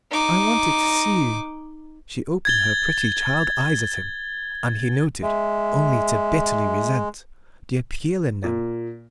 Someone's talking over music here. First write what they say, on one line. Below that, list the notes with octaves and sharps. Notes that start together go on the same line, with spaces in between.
"I wanted to see you." She opened her pretty child-eyes at him, and he noted, only to bitterly resent, the appeal in them.
D#4 D6
G#6 A6 G7
G#3 E5
A#2